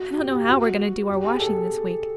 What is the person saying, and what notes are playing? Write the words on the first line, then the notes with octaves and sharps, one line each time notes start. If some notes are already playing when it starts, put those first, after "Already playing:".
I don't know how we are going to do our washing this week.
Already playing: F#4
G4
G4
F#4
G4
G#4
A4